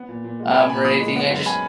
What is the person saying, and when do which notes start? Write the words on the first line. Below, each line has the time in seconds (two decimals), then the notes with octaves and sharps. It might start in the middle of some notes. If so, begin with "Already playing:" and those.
um, or anything, I just
Already playing: B3
0.09 A#2
0.24 A#2
0.39 G#3
0.54 B3 G#5 B5
0.70 A#2 G#5 B5
0.85 A#2 B5 D#6
1.00 G#3
1.16 B3
1.30 F#2
1.46 G#5 B5